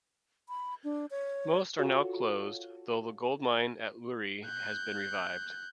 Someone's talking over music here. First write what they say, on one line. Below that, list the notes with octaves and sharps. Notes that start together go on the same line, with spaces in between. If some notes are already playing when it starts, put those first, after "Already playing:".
Most are now closed, though the gold mine at Luiri has been revived.
B5
D4
C#5
F4 F#4 A4 C#5
F#6 G6